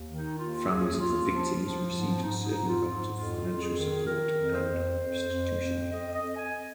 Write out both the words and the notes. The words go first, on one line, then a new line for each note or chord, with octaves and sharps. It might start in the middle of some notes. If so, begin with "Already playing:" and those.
Families of the victims received certain amount of financial support and restitution.
Already playing: D#2
D#3
D#4
D#2 F4
D#2 G#4
D#2 F4
F3
F3
G#2
G#2 D#4
D#4
G#2
F4
G#2
F2 F4
F2
G#4
D#3
D#3 A#4
F2
C5
F2
F2
F2
F2
F2 D#5
D#5
F2
G#5